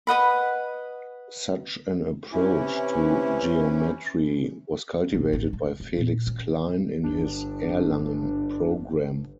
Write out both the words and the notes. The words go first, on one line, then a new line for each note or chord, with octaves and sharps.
Such an approach to geometry was cultivated by Felix Klein in his Erlangen program.
B4 D#5 F#5 B5
C3 E3 C#4 E4
A#1 F#2
A1 C4
A3
C4
A#2
C#4
G1 D4